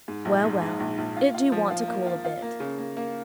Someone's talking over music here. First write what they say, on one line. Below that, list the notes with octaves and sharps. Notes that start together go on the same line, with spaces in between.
'Well, well; it do want to cool a bit.
G#2
A#1
G#2
G#2
A#1
A#1
F4
F4
F3
F4
A#3
F4
F4
A#3
C#3
A#3
A#3